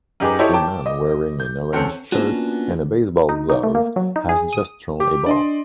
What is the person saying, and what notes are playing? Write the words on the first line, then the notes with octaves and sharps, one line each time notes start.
A man wearing an orange shirt and a baseball glove has just thrown a ball.
F#2 D#4 G4 G#4 B4 D6
E4 G4 A4 C5 C#5 D#5
G5 A5 D6
D#5
G6
E2 C4 C#4 A4 C#7
A#3 B3 C#4 D4 F4 F#4
D#4
D#4
A3
A#3
F#3
D#4
G#4
D#6
G4 D6
D4 D5 D#5 C6